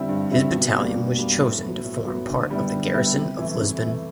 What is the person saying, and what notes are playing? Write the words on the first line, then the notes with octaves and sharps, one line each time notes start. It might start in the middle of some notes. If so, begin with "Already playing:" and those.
His battalion was chosen to form part of the garrison of Lisbon.
Already playing: D3 G3 C4 E4
G2
D3 G3 C4 E4
B2
G3 A#3 D4
B2
G3 A#3 D4
A2
F#3 B3
A2
F#3 B3
D3
G3 B3 E4
D3
G3 B3 E4
C3
E3 A3
C3
E3 A3